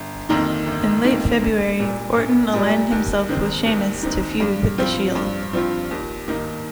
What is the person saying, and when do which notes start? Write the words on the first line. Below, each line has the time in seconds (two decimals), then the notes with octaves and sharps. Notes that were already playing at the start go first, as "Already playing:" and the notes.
In late February, Orton aligned himself with Sheamus to feud with the Shield.
Already playing: G1
0.29 F2 D#3 A#3 D#4
0.66 G1
1.04 F2 D#3 A#3 D#4
1.41 A#1
1.79 A#2 G3
2.16 A#1
2.53 A#2 G3
2.91 D#2
3.29 D#3 C4 D#4
3.66 D#2
4.03 D#3 C4 D#4
4.40 G2
4.78 F3 C4 F4
5.15 G2
5.53 F3 C4 F4
5.91 D#2
6.28 D#3 A#3 D#4